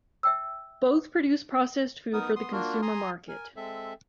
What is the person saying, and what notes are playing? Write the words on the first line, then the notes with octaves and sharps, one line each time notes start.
Both produce processed food for the consumer market.
E5 G5 E6
B3 D#4 A#4 D#6
B3 C6 D#6
A#3 D4 F4 F#4 A#4
G#5 A#5 C6 D#6
A#4 G#5
G#3 C4 A4 E5